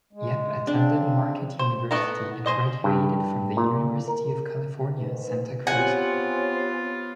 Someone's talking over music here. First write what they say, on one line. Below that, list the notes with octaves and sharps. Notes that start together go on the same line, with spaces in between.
Yep attended Marquette University and graduated from the University of California, Santa Cruz.
G#3
C#3 C4 D4
C5
A3 B3 E4 A#5
G#4 C5 D#5
G2
A#2
A#4
G#2 D#3 B4
B3 C4 F4 G4 C#5 F#5 G#5